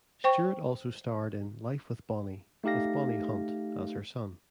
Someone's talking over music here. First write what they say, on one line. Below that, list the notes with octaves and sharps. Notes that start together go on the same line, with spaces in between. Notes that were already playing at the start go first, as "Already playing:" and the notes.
Stewart also starred in "Life With Bonnie" with Bonnie Hunt, as her son.
C5 G5 C#6
A3 D#4 G4 F5 A#6